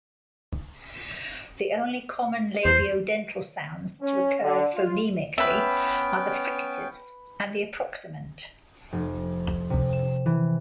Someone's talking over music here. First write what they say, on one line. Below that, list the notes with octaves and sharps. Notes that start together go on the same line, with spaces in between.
The only common labiodental sounds to occur phonemically are the fricatives and the approximant.
E2 C5
C#4
D3
F4
B3 C#4 B4 E5 G5
F1
C3
E7
E3